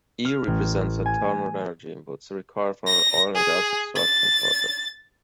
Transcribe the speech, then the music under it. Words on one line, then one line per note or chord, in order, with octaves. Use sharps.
E represents external energy inputs required for an oil and gas extraction project.
F6
A1
G#5
A#6
G#4
A6